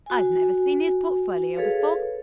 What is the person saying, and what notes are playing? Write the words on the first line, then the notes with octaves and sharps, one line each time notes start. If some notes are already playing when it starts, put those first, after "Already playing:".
I've never seen his portfolio before.
F#4 G#5
G#4 A4 B4 C#5 F5